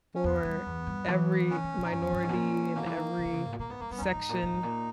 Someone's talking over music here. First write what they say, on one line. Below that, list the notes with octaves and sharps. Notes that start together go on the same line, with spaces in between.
for every minority and every section,
C#4
E2 B3
G2
E2
G2
E3
D#3 C#4
D#3
A#2
D#4
G2 C#4
E2
G2
G#2
B2
A#2
B2 A#3
E3
D#3
C#3
D#3
C#3
G#2
A#2
B2 A#3
G#2 B3
G2 A#3
G2 B3
C#4
E2 D#4
G#2
A#2
A#2
G#2
A#2